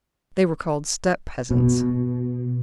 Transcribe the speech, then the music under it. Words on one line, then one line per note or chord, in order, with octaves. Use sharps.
They were called steppe peasants.
B2